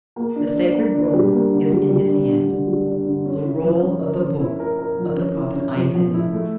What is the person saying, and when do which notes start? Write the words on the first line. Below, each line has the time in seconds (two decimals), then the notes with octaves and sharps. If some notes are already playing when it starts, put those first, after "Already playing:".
The sacred Roll is in His hand; the Roll of the Book of the prophet Isaiah.
0.16 A#3
0.36 D4
0.56 D4
0.75 A#3
0.94 D4
1.14 G3
1.33 A#3
1.51 D3
1.71 G3
1.90 G3
2.09 D4
2.29 D3
2.48 D3
2.67 G3
2.87 D4
3.05 D3
3.25 C#4
3.44 E4
3.63 F3
3.83 C#4
4.01 A#4
4.21 C#4
4.40 E4
4.59 A#4
4.79 A#4
4.98 F3
5.17 C#4
5.36 E4
5.56 C#4
5.75 F3
5.95 F3
6.14 E4
6.33 A3